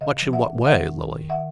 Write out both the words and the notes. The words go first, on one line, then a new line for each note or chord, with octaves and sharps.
"Much in what way, Lily?"
C#3 D#5 F5
F3
E5 F#5
E3
D#3 E5 F#5
E5 F#5